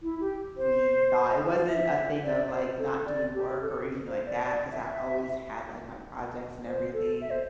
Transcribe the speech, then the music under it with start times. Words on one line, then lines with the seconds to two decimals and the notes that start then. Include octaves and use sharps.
we thought. It wasn't a thing of, like, not doing work or anything like that, 'cause I always had, like, my projects and everything
0.02 E4
0.20 G4
0.57 C5
1.68 E5
2.23 D5
2.47 D5
2.50 C5
2.79 A4
3.06 D5
3.34 G4
3.61 A4
4.07 C5
4.26 D5
4.44 D5
4.71 E5
6.66 C5
6.93 A4
7.21 E5
7.31 C5